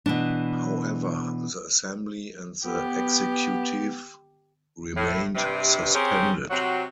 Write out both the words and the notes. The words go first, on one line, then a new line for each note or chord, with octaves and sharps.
However, the Assembly and the Executive remained suspended.
B2 E3 D4
B3 G4
A2
G2 C3
C4 C#4 G4 G#4 A#4
C3 F#3 C4 F#4